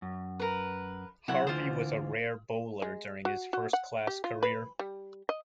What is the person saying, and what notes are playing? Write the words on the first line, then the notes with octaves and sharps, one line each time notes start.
Harvey was a rare bowler during his first-class career.
F#2
A#4 B4
C3 F#3 E4 F#5
D2 D3 E3 F4 C5
G#3
F#4
F#4
F#5
G4
F4
B4
G3
D#5